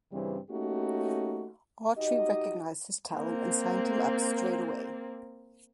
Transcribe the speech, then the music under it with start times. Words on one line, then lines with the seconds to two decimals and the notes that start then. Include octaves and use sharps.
Autrey recognized his talent and signed him up straight away.
0.12 G2 C#3 E3 G3 C4
0.50 A3 A#3 C#4 D#4 F#4 G4
1.97 D#4 F#4 G4 D#5
3.14 A#3 C4